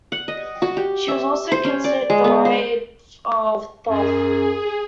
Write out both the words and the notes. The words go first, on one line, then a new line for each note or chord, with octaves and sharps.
She was also considered the wife of Thoth.
F#5
D#5
F#4
G4
E5
C5
C#4
D5
G#3
B3
C5
F#2 G#4